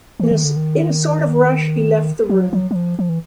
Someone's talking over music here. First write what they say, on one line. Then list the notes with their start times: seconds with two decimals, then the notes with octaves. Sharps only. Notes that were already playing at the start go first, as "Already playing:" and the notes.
In a sort of rush he left the room.
0.20 E3
0.31 D#3
0.44 D3
0.56 D#3
2.29 F#3
2.53 F#3
2.71 F#3
2.76 F3
2.99 F3
3.09 E3